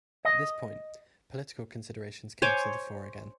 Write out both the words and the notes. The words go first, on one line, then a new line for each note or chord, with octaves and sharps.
At this point, political considerations came to the fore again.
D#5
C5 C#5 G#5 D6